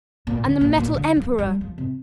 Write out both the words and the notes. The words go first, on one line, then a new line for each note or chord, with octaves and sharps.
And the Metal Emperor!
A#2
D3
A#2
A#2
D3
F3
G3
F3
C3